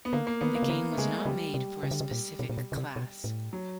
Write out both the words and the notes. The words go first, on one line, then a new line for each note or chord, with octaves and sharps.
The game was not made for a specific class.
B3
D3 A#3
A#3
D#3 B3
A#3
C#3
D3 A#3
A3
C#3 G#3
C#3 G3
C3
C#3
D3
C#3
A#2
B2
A#2
B2
C#3
C3
B2
A2
F#3